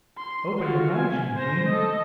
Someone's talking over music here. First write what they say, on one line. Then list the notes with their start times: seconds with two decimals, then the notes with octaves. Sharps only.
Open your eyes, Eugene?
0.17 C6
0.59 F4 F#4
0.96 G#5
1.37 C5 A#6
1.69 A4 D#5